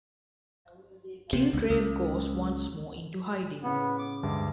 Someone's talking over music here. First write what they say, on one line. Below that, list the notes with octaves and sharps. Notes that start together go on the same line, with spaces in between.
Killgrave goes once more into hiding.
C3
C#2
C#2
A2 C#3 B3
D6
D2 G2 G#3 D6